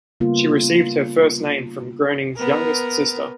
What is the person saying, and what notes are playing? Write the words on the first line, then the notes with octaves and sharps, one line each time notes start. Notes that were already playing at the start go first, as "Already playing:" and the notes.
She received her first name from Groening's youngest sister.
C#3 G3 A#3 B3 F4
B3 A#4